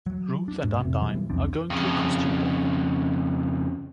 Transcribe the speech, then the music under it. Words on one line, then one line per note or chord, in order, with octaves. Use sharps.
Ruth and Undine are going to a costume ball.
F#3
D4
G#2
F1 C3
B2 E3 F#3 G3
C2 F2 C4 D4
F2 C#3